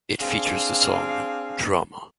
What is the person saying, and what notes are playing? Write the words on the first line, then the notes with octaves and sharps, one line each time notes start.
It features the song "Drama".
C4 D4 G#4 F5